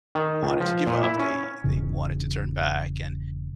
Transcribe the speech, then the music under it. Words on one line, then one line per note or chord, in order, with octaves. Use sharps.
wanted to give up, they they wanted to turn back, and,
D#3
C#2
F3
A#2
E4
C#4
E1 G#2 C#3